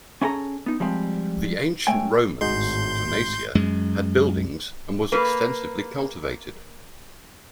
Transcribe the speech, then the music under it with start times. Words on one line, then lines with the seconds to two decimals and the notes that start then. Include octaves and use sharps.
The ancient Romans' "Planasia" had buildings and was extensively cultivated.
0.22 C#4 E4 G#4 A4 A#5
0.66 B3 D#4
0.80 F3 G3 G#3 C4
1.87 G#3 A3 C#5 G5 G#5
2.41 G#1 A2 G#3 D#4 F#4 C6 G6
3.55 F#2 G#3
5.12 A#3 B4